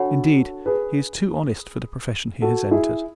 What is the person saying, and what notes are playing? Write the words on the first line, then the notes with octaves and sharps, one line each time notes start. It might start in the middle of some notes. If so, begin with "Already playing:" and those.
Indeed, he is too honest for the profession he has entered.
Already playing: D4 F#4 A4 C#5 F#5 B5
G#4 B4
F#4 A4
E4 G#4